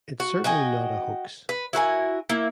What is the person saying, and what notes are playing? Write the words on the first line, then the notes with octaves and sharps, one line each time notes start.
It's certainly not a hoax.
F#4
F#4 D#5 G5 G#5
B4
E4 F#4 A#4 G#5
A#3 E4